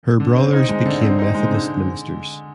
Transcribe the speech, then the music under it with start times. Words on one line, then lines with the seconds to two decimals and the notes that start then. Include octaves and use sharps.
Her brothers became Methodist ministers.
0.20 D3
0.37 C4
0.53 D#4
0.69 G#3
0.86 D3
1.02 C4
1.19 D#4
1.35 G#3
1.51 D3